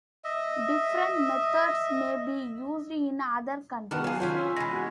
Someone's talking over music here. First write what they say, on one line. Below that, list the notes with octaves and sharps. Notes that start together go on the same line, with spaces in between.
Different methods may be used in other countries.
D#5 E5
D#3 B3 D4 F#4 F#5 A5 F6
E3 F#3 G#4 F5
C#4 F4 C5 C#5 F#5 G#5 C6 G6
E6 B6
E3 G#3 G#5 B5 A#6
B3 F4 F#4 G#6